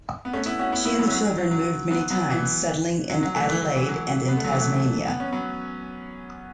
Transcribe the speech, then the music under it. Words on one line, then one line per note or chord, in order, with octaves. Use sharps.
She and the children moved many times, settling in Adelaide and in Tasmania.
B3
A3 C#4
B3 E4
C#4 F#4
B3 E4
B3 E4
F#3 B3
C#4
F#3 B3
F#3
F#3
F#3
F#3 B3
F#3 B3
E3
F#3
F#3
E3 A3
E3 A3
F#3
E3
F#3
B3
A3
F#3
E3 A3
B3
C#4
F#3 B3